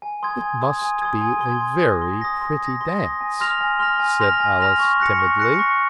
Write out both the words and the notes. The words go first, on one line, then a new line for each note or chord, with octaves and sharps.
'It must be a very pretty dance,' said Alice timidly.
G#5
C6 D#6 G#6
G#5
C6 D#6 G#6
G#5
C6 D#6 G#6
G#5
C6 D#6 G#6
C6
D#6 A#6
C6
D#6 A#6
C6
D#6 A#6
C6
D#6 A#6
G#5
C6 F6 A#6 F7
G#5
C6 F6 A#6 F7
G#5
C6 F6 A#6 F7
G#5
C6 F6 A#6 F7
C#6
F#6 A#6 C#7
C#6
F#6 A#6 C#7
C#6